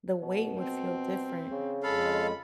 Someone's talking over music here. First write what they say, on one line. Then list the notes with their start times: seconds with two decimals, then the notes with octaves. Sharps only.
The weight would feel different.
0.23 B2
0.58 C4
1.51 C#3
1.83 F2 G#3 A4 F5 B5